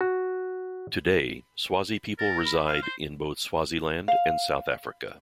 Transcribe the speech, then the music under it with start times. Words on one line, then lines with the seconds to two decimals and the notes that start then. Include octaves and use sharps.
Today, Swazi people reside in both Swaziland and South Africa.
0.01 F#4
2.19 A#4 A6
2.45 B5
2.68 F5
2.83 C5 C7
4.08 F5